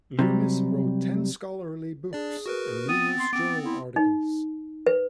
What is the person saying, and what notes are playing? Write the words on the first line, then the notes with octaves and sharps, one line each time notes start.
Loomis wrote ten scholarly books and numerous journal articles.
C3 F#3 G3
D4 G#4 D5
F#4 A#4 B4
B3 C4 D#6 A6
C6
B3 C4 D6
E4 C6
D#4
B4